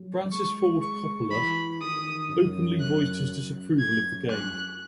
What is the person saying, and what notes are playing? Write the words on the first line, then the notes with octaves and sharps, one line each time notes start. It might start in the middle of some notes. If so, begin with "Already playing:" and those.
Francis Ford Coppola openly voiced his disapproval of the game.
Already playing: F#3
G#3 C#6
C#6
E3 B5
D#3 D#6
F#2
F#6
F#2
G#6
F#6